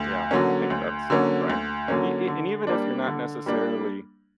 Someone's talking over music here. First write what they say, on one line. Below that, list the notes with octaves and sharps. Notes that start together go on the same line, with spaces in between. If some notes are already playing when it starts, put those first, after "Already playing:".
Yeah, I think that's right. E e and even if you're not necessarily
Already playing: D2
D3 F#3 A#3 C#4
D2
D3 F#3 A#3 C#4
D2
D3 F#3 A#3 C#4
D3
G3 A#3 D4
D3
G3 A#3 D4